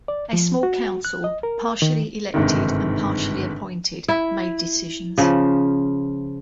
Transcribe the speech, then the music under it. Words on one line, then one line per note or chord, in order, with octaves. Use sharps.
A small council, partially elected and partially appointed, made decisions.
D5
F3
F#4
F#6
D#5
A#4
D#3
G1 G#2 C3 D#3
E4
C#3 F3